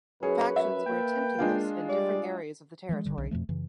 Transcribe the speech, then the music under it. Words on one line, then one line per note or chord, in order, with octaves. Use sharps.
Factions were attempting this in different areas of the territory.
F#2 G#4 B4 C#5
F#2 E5
A#3 G5
G#3 D4 F4
G3 D5
E3 F3 G3 G#3
G1 D3 G3
B1 D3
F2 B2 F3 A3
F#2 C#3 E3